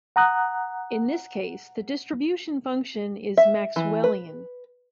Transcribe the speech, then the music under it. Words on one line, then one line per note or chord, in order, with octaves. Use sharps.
In this case, the distribution function is "Maxwellian".
F#5 A#5 D#6 F#6
E5
E3
B4